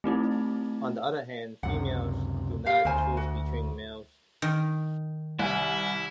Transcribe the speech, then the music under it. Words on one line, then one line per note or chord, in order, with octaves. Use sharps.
On the other hand, females do not choose between males.
A3 C4 D#4 E4
C#2 F#2 C3 F#5
G4 F5
D2 A#4 C5 G#5
F#4
D#3
C2 E4 G#5